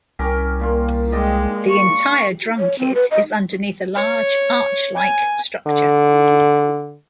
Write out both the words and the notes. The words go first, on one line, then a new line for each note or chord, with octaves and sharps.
The entire drum kit is underneath a large arch-like structure.
C2 C#4 G4 A#4
A#2 A#3 F4
G#3 D5 D#5 G5
C#6
C#5
C4
B4
D#5
C#5
G#5
D3